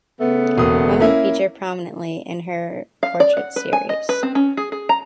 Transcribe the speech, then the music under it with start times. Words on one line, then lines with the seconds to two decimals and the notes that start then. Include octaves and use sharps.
Women feature prominently in her portrait series.
0.21 C#3 A3 B3
0.58 E1 A#3 D#6
1.00 A#3 C#4 E4
3.03 F5
3.20 D5
3.37 F#5
3.56 B4
3.73 G#5
3.89 D#5
4.09 B4
4.23 C4
4.35 C#4
4.57 G#4
4.72 G#4
4.89 A#5